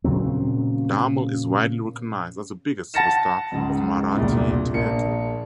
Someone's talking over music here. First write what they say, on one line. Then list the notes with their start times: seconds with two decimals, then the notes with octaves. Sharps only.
Damle is widely recognized as the biggest superstar of Marathi theatre.
0.04 A#2 C#3 F#3 C4
2.94 F#5 A5 A6 A#6 C#7 E7
3.52 C#2 G#2
4.17 E1 C2 G2 A#2
4.74 A#1 A#3 C#7